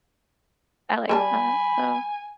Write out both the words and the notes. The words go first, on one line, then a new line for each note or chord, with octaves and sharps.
I like that, so
G3 B4 G#5 A5 B5